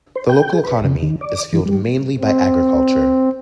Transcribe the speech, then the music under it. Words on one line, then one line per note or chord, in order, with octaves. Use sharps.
The local economy is fuelled mainly by agriculture.
C5
G5
G#4
B4
C#3
D#3
D5
E3
G3
C4